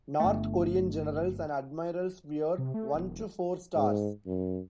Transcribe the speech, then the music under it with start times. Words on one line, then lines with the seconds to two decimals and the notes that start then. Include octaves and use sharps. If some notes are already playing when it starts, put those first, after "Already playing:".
North Korean generals and admirals wear one to four stars.
0.20 G1 A3
2.58 C3
2.74 A3
2.95 E1
3.76 G#2
4.27 F#2